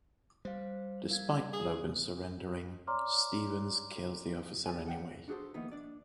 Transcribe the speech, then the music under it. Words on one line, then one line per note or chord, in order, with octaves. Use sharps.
Despite Logan surrendering, Stevens kills the officer anyway.
G3 C5 F5
A#4 F5 G#6
G#4
C#5 D5 A#5 C6 D6 F6
D5 G#5
A4 D5 F#5 G5
D4 F#4 G#4 A4 C5
D#3 F3 A#3 B3 D#4 E4
D4 D5